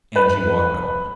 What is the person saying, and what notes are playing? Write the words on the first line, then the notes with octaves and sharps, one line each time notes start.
And he walked on.
B4